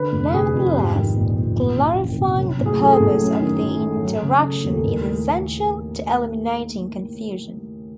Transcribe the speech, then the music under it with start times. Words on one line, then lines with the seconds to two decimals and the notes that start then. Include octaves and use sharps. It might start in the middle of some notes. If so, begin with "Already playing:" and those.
Nevertheless, clarifying the purpose of the interaction is essential to eliminating confusion.
Already playing: D3 B4
0.13 F1
0.34 F1 G#4
0.54 F2
0.75 G#2 G4
0.95 D#3
1.15 A#1
1.37 A#1
1.57 F#1
1.77 F#1
1.97 E3
2.19 C3
2.38 F#3
2.59 A2
2.66 G#4
2.80 F#3 A4
2.93 G#4
3.00 A2
3.20 F#2
3.41 D#3
3.61 F#3
3.82 A3
4.03 F#3
4.22 C#3
4.43 A3
4.64 D#2
4.74 A4
4.84 A2 A#4